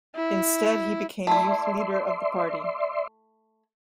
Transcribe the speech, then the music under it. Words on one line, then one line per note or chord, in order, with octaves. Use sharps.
Instead he became youth leader of the party.
E4
A3 E4 D5 E5 C6